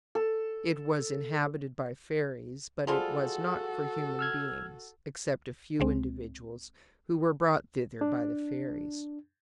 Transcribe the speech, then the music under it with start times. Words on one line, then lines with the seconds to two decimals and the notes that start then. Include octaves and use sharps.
It was inhabited by fairies, but it was not for human beings, except a few individuals who were brought thither by the fairies.
0.15 A4
2.87 F3 G3 F4 F#4 G#4 A4
4.19 E6 F6 G#6
5.80 C#2 G#3 C4
8.01 D4